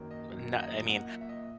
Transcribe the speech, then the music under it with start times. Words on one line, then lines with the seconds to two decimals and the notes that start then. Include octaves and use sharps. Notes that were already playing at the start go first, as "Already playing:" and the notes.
n I mean,
Already playing: F#2 D#3 F#3 A#3
0.11 D#5
0.31 F#2 D#3 F#3 A#3
0.60 D#5
0.89 A#2 A#3 F#5
1.09 E5
1.21 E5
1.29 D#5